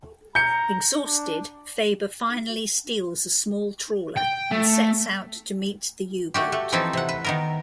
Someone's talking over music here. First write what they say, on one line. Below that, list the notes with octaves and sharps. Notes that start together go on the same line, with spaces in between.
Exhausted Faber finally steals a small trawler and sets out to meet the U-boat.
A#5 G6 C#7
D4
G5
A3
A3 F#4 G4
A3
E3 F3 C4 D#4 E4 A4
C3 F#5
B4
D#3 B3 A#4